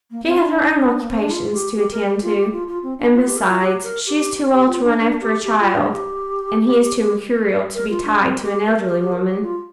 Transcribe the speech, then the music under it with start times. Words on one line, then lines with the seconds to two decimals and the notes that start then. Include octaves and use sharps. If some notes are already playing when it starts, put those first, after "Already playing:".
'She has her own occupations to attend to; and besides, she is too old to run after a child, and he is too mercurial to be tied to an elderly woman.'
0.11 A#3
0.24 C4
0.38 D4
1.00 A#3
1.10 C4
1.19 D4
1.30 F4
1.52 G4
1.75 G4
1.91 A#4
2.06 G4
2.22 F4
2.37 G4
2.52 F4
2.67 F4
2.83 C4
2.98 D4
3.14 F4
3.25 G4
3.36 A#4
3.48 F4
3.60 G4
3.83 A#4
4.06 G4
4.52 G4
4.67 F4
4.82 D4
4.98 D4
5.20 G4
5.44 G4
5.59 F4
5.74 D4
5.90 G4
7.74 A#4
7.89 F4
8.04 D4
8.20 C4
8.42 G4
8.66 A#4
8.78 A#4
8.89 G4
9.00 G4
9.12 A#4
9.27 G4
9.42 F4